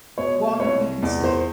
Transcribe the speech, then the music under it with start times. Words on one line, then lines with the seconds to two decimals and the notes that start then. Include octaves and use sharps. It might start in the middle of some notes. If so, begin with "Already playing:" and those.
One you can see.
0.18 B2 C#5
0.60 C2 C#5
1.02 E2 D5
1.24 C5